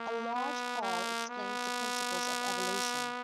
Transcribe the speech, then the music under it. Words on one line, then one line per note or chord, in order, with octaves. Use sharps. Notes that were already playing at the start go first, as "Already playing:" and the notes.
A large hall explains the principles of evolution.
Already playing: A#3
B3
A#3
B3